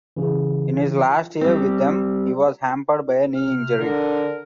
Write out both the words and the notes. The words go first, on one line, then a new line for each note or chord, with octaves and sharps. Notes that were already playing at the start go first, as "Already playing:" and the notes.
In his last year with them he was hampered by a knee injury.
C#3 E3
G3 C4
C3 F6
D3 A#4